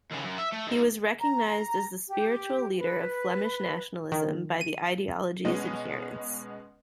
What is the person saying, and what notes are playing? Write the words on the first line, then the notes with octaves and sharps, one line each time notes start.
He was recognised as the spiritual leader of Flemish nationalism by the ideology's adherents.
D#2 C#3
F#2
E5
A3
D#3 G#3
A#5
G4
B4
D#3
D#7
B2 G#3 B3 C#4